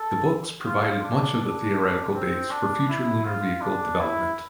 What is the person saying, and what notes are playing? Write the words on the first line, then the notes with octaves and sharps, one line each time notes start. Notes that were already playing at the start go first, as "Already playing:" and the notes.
The books provided much of the theoretical base for future lunar vehicle development.
Already playing: A4
F4
D4
D4
C4
D4
E4
F4
D4
E4